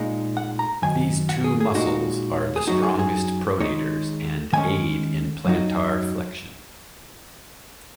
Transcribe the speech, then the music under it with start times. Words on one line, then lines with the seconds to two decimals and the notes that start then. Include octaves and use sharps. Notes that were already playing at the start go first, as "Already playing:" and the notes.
These two muscles are the strongest pronators and aid in plantar flexion.
Already playing: A#2 G#3 D#4
0.37 F#5
0.59 A#5
0.82 F#2 D#3 G#5
1.29 F#5
1.44 G#4
1.60 G#4
1.75 A#2 G#3 D#4 F#4
2.56 G#4
2.67 F#2 F#3 D#4 F#4
2.83 G#4
2.99 G#4
3.60 D#3 G#3 D#4 C#5
4.53 D#3 G#3 C#4 G#5
5.45 F#2 F#3 D#4